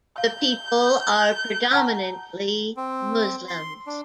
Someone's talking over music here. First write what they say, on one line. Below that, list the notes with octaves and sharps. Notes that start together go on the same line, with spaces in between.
The people are predominantly Muslims.
F5 G6
F#5 A5 A#5
C4
C6
D4